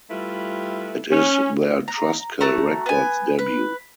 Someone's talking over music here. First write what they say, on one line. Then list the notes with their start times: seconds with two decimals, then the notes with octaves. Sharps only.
It is their Trustkill Records debut.
0.10 G3 A3 E4 F4 B4
1.11 C#4
1.88 A#5
2.41 A3 F#4 A#5 C#6
2.86 B3 G#5
3.39 B4